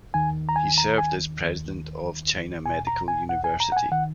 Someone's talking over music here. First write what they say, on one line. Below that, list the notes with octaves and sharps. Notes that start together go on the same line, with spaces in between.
He served as President of China Medical University.
D#2 D#3 G#5
A#5
G#5
A#5
G#5
D#2 D#3
E2 B2 G#5
A#5
G#5
F#5
G#5
A#5
F#5
G#5
D#3 F#5